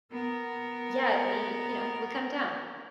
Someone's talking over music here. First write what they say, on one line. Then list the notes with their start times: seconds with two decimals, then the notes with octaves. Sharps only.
yeah, we you know, we cut 'em down.
0.11 B3 A#4